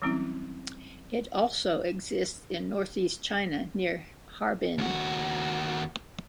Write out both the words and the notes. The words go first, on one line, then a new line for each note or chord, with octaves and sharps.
It also exists in Northeast China, near Harbin.
E3 F#3 G3 C4 C#4 E4
D#2 F#4